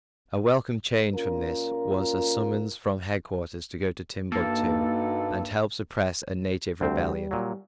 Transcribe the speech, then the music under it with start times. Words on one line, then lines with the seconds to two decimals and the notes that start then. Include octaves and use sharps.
A welcome change from this was a summons from headquarters to go to Timbuctoo, and help suppress a native rebellion.
1.14 A#2 C#4 F4 A#4
4.32 G2 A#3 D#4 F#4 A4
6.81 D2 G3 C4
7.31 A#2 F#3